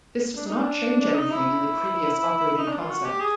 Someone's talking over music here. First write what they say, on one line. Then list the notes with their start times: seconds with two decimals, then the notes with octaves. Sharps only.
This does not change anything in the previous operating concept.
0.36 D4
0.47 D#4
0.57 D4
1.00 D4
1.15 D#4
1.31 E4
2.57 D#4
2.68 D4
2.79 F4
2.90 F#4
3.05 G4
3.20 G#4